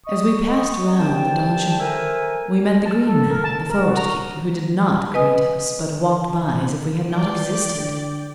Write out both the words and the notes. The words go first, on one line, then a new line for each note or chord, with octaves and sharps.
As we passed round the donjon, we met the Green Man, the forest-keeper, who did not greet us, but walked by as if we had not existed.
D#5 C#6 D#6
C2 G5 A5
A4 A#4 C5 E5 G#5
A5
A4
A#4
A5
A#4
F#4
A#5
B4 D#5 G#5 D#6
E3 D5 G5
D3